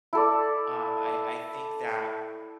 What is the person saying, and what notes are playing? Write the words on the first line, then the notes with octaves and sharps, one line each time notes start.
um, I I think that
E4 A4 D5